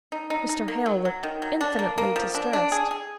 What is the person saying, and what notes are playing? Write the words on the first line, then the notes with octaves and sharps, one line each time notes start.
Mr. Hale looked infinitely distressed.
D#4
D#4
D#4
A#3
F#3
F#3
D#3
F#3
D4
A#3
A#3
F3
D4
D4
G#4
G#4